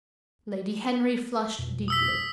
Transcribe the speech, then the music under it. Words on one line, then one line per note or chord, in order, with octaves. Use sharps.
Lady Henry flushed deeply.
F2 B2
D#6 E6 B6